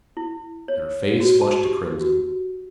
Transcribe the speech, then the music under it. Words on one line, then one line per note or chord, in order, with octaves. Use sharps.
Her face flushed to crimson.
E4
C#5
F#4
A5
G4
F#4